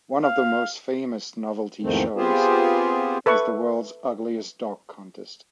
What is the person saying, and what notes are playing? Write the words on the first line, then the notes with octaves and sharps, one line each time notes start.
One of the most famous "novelty shows" is the World's Ugliest Dog Contest.
F5
E2 G#2 D#3 F3 A3 C4
B3 C4 F4 G4 G#4 C5
A4 B4 E5 C#6